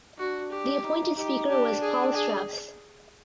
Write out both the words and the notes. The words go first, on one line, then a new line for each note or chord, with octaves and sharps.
The appointed Speaker was Paul Strauss.
D4 F#4
G4
D#4
D#4 G4
D4 G4
G#4
G#4